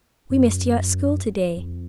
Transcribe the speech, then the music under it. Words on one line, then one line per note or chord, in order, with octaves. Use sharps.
"We missed you at school to-day."
F#2
F2